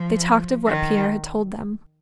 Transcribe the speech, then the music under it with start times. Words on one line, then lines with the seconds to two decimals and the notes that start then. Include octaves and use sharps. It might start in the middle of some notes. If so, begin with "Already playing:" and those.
They talked of what Pierre had told them.
Already playing: F3
0.67 D#3